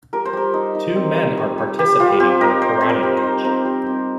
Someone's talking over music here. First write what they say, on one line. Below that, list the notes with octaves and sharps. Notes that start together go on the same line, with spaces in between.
Two men are participating in a karate match.
G3 A#4
C5
G3 A#4
D#4
D#4
C4
G3
G3
G3
G3 G4
G3 F4
C4 G4
D#4 A#4
C4 C5
C4 C5
A#4
G3
C5
D#4
C4 A#4
G3
C4